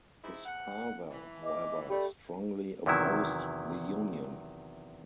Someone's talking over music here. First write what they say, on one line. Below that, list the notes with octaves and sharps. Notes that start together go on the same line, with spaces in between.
His father, however, strongly opposed the union.
G#2 E4
E2 F#5
E3
D#5 D6
A3 G4 A4 D5 B5
E2 C3 D#3 F#3 E4